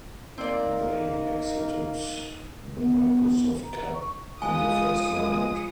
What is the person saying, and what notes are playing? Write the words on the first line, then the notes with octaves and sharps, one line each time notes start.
They exited the Microsoft Cup in the first round.
A#3 C4 D#4 D5
B3
A#5
C#6
F3 G#3 B4 G#5 D#6